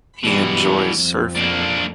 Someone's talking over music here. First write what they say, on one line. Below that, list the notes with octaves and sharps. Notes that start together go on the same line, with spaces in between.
He enjoys surfing.
G2 B2 E3 G3
F2
A#3 D4